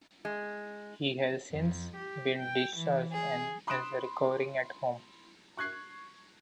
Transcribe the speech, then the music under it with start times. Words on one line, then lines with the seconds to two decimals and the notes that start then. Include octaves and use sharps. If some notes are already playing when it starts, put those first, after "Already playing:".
He has since been discharged and is recovering at home.
0.25 G#3
1.52 F2
1.96 G4
2.39 G5
2.77 E3
3.12 G#4
3.67 B5 C6 D#6 F#6 D7 E7
5.57 C#6 F#6 G#6 C7